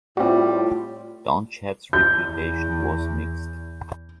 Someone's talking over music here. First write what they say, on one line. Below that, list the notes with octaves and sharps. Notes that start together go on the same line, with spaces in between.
Donnchad's reputation was mixed.
A2 G3 C4 F4 F#4
E2 G6